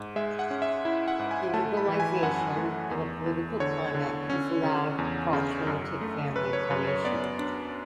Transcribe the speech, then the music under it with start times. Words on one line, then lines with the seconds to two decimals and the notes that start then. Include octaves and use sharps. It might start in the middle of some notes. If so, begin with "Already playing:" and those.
The liberalization of the political climate has allowed for alternative family formation.
Already playing: G#2
0.16 G#3 E5
0.39 F#5
0.51 C#4
0.62 E5
0.85 E4
1.08 F#5
1.19 G#2
1.31 G#5
1.54 A3 A5
1.77 B5
1.88 E3
2.00 G#5
2.23 F#2 F#5
2.57 A3
2.91 E2
3.26 E2
3.60 D3 C#5
3.95 D3
4.30 C#4
4.63 C#3
4.98 E2
5.33 C#3
5.67 F#2
6.01 A3
6.36 F#2 B4
6.53 C#5
6.70 F#2 B4
6.87 C#5
7.05 B3 D5
7.39 D4